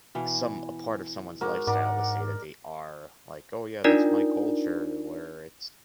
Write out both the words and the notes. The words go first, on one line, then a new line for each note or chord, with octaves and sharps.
some a part of someone's lifestyle to say that they are like, "Oh, yeah, that's my culture," where it's
B2 E3 F5
G#2 F#4 A#4 C#5 D6
G#2 D4 A#4 D5 F#5 A#5
D4 D#4 F4 A#4 D5